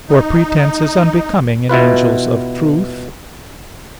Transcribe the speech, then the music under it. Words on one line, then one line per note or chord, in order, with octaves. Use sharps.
For pretence is unbecoming in angels of truth.
D#4
B2 E4 F4 B4